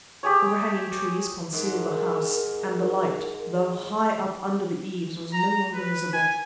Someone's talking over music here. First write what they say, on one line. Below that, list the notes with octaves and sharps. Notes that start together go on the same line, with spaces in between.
Overhanging trees concealed the house, and the light, though high up under the eaves, was no longer visible.
G4 G#4 C#5
G#2 A#4
A#5
B4
G#5